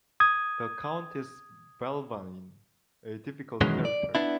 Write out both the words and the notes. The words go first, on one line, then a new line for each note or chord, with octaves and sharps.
The Countess Belvane: A difficult character.
D#6 G#6
B2 D#3 E3 F#3 G#3 C#4
D5
B3 D4 E4